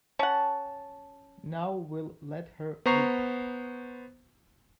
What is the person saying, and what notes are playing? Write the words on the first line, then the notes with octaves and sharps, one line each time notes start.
Now we'll let her rip.
C#4 F#5 A5
B3 C5 A#5 C#6 C7